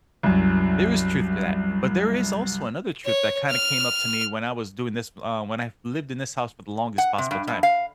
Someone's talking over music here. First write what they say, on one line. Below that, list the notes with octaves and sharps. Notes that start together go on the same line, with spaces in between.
There is truth to that, but there is also another truth that kinda came up to me when I was doing this uh, when I lived in this house for the longest possible time.
C2 F#2
C#5
F6
F#5
C3
G2
G2
F5